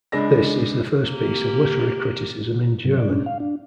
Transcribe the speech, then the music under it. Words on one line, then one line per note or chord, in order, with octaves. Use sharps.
This is the first piece of literary criticism in German.
C#2 G#3 D4 A#6
A#3 G4
G#2 C#3 F#3
D5
A#2 C#4 D4
F5
D4